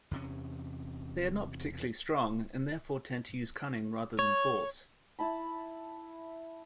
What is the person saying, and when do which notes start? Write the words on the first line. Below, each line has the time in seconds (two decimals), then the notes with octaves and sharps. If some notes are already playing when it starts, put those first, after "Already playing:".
They are not particularly strong, and therefore tend to use cunning rather than force.
0.11 E2 C3 A#3 C#4
4.19 C#5
5.19 E4 A5 B5